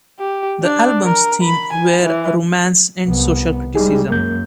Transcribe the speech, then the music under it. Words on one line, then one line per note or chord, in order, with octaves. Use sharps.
The album's themes were romance and social criticism.
G4
D4
A#4
B5
G#5
E3
C2 B3
G3 G#3 D#4 G4 G#4
F#2 A#3 G6